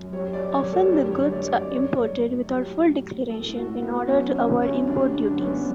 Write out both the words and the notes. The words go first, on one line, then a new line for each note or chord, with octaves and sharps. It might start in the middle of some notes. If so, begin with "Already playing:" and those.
Often the goods are imported without full declaration in order to avoid import duties.
Already playing: F#2
G3 C#5
G3 D5
F#2 C#5
F#2 A4
D3 G4
F#2 C#5
F#2 D5
F#2 D5
G2 C#5
A3
G2
F#3
G3
A2
A2
A2
A2 A4
A2
F#4
A2
B3
A3
F#3 C#4
D3
C#4
D2
C#4
D3
G3 D4
D3
D4
F#2
B3
C#4
F#2